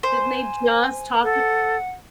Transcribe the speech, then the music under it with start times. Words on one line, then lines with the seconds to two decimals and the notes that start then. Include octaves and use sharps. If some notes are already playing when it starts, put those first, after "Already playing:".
Didn't they just talk
0.03 C5 G#5
1.23 A4 F#5